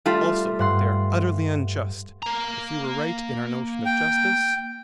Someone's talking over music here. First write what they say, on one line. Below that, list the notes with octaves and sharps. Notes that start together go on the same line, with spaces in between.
Also they are utterly unjust, if we were right in our notion of justice?
G3 A3 F4
G2 F#5 C6
A#3 A#5
G5